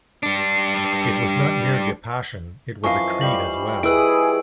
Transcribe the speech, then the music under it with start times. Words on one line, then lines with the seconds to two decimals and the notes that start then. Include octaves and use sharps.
It was not merely a passion — it was a creed as well.
0.23 G3 D4
2.84 F#2 E3 F3 D#5 F5 C#6 C7
3.21 G3 C5 F#7
3.83 E4 G#4 B4 D#5 E6 D7